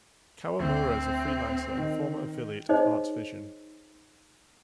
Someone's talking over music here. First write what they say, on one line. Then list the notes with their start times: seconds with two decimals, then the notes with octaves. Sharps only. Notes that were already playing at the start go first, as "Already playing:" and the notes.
Kawamura is a freelancer and a former affiliate of Arts Vision.
0.59 D2 C4
1.78 D#3
2.69 D#4 G#4 C5 C#5 D#5